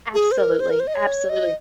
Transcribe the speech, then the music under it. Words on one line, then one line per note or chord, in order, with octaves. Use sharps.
Absolutely, absolutely,
G#4
C5
A#4
C5
A#4
C5
D#5
C#5
D#5